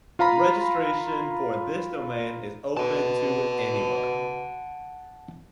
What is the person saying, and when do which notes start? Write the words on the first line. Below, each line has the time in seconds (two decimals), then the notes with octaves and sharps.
Registration for this domain is open to anyone.
0.19 F4 F5 A#5 B5
2.77 B2 F#5 A5